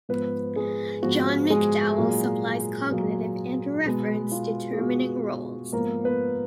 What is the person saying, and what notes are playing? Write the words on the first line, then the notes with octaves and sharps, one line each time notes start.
John McDowell supplies cognitive and reference-determining roles.
G#2 F3 B3 B4
G#3 G#4
G#2 F3 B3 F#4
G#3 G#4
A#2 F#3 A#3
A#2 F#3 A#3
B2 G#3 B3
F4
G#4
B2 G#3 B3 F#4
G#2 F3 A#3 B3 A#4
B3 B4